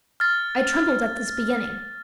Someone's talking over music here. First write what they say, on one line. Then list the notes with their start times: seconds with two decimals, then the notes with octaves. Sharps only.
I trembled at this beginning.
0.20 F6 A6